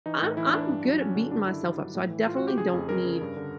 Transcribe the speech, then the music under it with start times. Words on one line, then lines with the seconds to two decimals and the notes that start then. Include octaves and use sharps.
I'm I'm good at beating myself up, so I definitely don't need
0.06 E3 D#4
0.22 A2
0.37 E3 E4
0.53 E3 D4
0.69 G2
0.85 F#3
1.00 F#3 C#4
1.15 D3
1.31 G2 D4
1.47 D#3 E4
1.63 F#3
1.79 G2
1.95 A2
2.11 E3
2.26 A2 F4
2.37 A2 F#4
2.47 G4
2.57 C#3 G#4
2.73 F2
2.89 F2 A#4
3.05 C#3
3.21 G2
3.37 D3